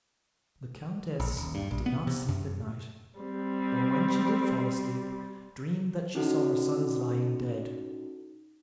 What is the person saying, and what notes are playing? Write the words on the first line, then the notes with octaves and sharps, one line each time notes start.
The countess did not sleep at night, or when she did fall asleep dreamed that she saw her sons lying dead.
A#1
D#1
G2
A#1
B3
C3
F#2
G3 C4
C#4 D#4 E4 F#4 A4